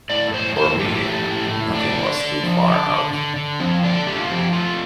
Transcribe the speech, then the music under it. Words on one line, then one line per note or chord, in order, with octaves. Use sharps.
For me, nothing was too far out.
A2 D5
A2 C5
A2 C5
A2 G4
F4
G4
A3
A2
A2
A3 D4
D3
D3
F3
D3
D3
D3
D3
F3 C4
D3 D4
A3 G4
F4
F3 G4
A3 F4